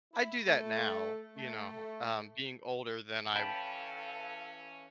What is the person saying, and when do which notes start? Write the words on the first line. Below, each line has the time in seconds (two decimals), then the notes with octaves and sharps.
I do that now, you know, um, being older than I
0.14 E4
0.47 A3
1.36 A3
3.36 E3 C#4 A4 F5 G5 A5 B5